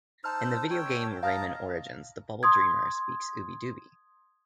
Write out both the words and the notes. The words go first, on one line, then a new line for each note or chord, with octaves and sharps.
In the video game "Rayman Origins", the Bubble Dreamer speaks Ubbi Dubbi.
D#4 C5 A5 E6 F6
C#5 G5 E6
D#5 F5 A5 A#5 F6
C6 D#6 G#6